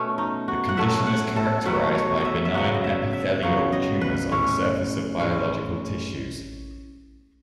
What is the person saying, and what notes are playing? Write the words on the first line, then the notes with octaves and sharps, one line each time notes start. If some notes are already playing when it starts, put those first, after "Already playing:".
The condition is characterized by benign epithelial tumours on the surface of biological tissues.
Already playing: B2 A3 C#4
D#4
F#4
F#5
B2 F#3 A3 E5
F#5
A4
B2 F#3 A3 B4
C#5
D#5 E5
E5
C#3 F#3 B3 F#5
D#5
E5
E5
C#3 F#3 B3 C#5
D#5
B4
A2 G#3 C#4 C#5
A2 G#3 C#4